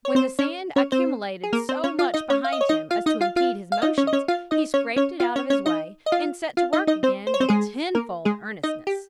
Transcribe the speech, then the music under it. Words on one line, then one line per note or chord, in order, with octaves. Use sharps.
When the sand accumulated so much behind him as to impede his motions he scraped it out of his way, and set to work again with tenfold earnestness.
C#5
C4 C5
C#4 C#5
C#4 C#5
C4 C5
G#4
A#3 A#4
C4 C5
C#4 C#5
F4 F5
D#4 D#5
C#4 C#5
F5
D#5
C#5
D#4 D#5
F4 F5
D#4 D#5
F4 F5
F4 F5
F5
D#4 D#5
C#4 C#5
D#5
C#4 C#5
F4 F5
D#4 D#5
C#4 C#5
C#4 C#5
F4 F5
C#4 C#5
C#4 C#5
D#4 D#5
D#5
F4 F5
F4 F5
D#4 D#5
D#4 D#5
C4 C5
C5
C#5
C4 C5
G#3 G#4
A#3 A#4
G#3 G#4
D#4 D#5
G4